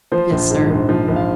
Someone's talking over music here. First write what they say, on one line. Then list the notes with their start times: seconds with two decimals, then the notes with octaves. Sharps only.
"Yes, sir."
0.12 F3 C5
0.31 A#1
0.50 G#2
0.70 A#1
0.89 F3
1.08 A#1
1.16 F5